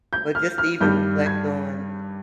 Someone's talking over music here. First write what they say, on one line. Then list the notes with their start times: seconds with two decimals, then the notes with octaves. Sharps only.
But just to even reflect on,
0.13 G6
0.35 F6
0.58 F6
0.81 G2 D#3 G3 G6
1.26 G#6